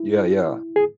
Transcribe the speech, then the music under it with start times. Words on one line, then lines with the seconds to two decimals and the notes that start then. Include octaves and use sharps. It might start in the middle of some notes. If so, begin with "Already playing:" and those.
Yeah, yeah.
Already playing: E4
0.76 G#4